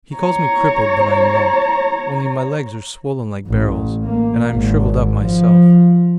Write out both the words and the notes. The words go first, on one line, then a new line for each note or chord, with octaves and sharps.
He calls me crippled, but I am not, only my legs are swollen like barrels, and I am shriveled up myself.
C#5 A#5
A1
A#3
G#1
F3